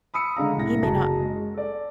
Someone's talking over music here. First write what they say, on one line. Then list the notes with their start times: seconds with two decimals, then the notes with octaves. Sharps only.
he may not
0.14 B5 D#6 E6 C#7
0.37 D3 G#3 D4 F5 A#5
0.56 C2 A2 A#6
0.82 F#1 F#4 G#4 A5 A#5
1.20 G#3
1.54 A4 D5